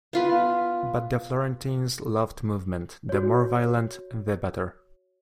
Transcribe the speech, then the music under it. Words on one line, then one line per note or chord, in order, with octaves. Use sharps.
But the Florentines loved movement, the more violent the better.
B3 F4 B4
F#4 C#5